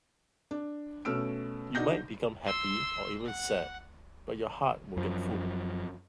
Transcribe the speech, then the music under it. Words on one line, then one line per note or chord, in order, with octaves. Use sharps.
You might become happy or even sad, but your heart will get full.
D4
B2 A3 C#4 E6 F6 D7
D3 D4 D#4 F#4 G6 A#6
C6 E6
F#5
F#2 F3